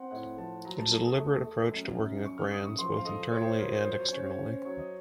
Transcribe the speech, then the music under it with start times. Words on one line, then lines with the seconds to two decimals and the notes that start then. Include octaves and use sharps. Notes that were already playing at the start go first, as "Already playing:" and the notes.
It is a deliberate approach to working with brands, both internally and externally.
Already playing: C4 F#5
0.11 A2 F#5
0.37 F3 A5
0.65 F#3 A#5
0.79 A5
0.91 A4 A#5
1.05 D#6
1.18 A3 C#6
1.45 A3
1.72 F#2
1.98 F#2
2.24 F#2 C#6
2.38 F6
2.51 F#2 D#6
2.66 C#6
2.78 F3 C6
2.97 F5
3.05 A4 D#5
3.31 F4 C#5
3.45 C5
3.59 F4 A#4
3.72 C5
3.85 F#3 C5
3.99 C#5
4.12 C#4 C#5
4.26 C#5
4.38 C#4
4.52 C5
4.65 F#3 C#5
4.78 D#5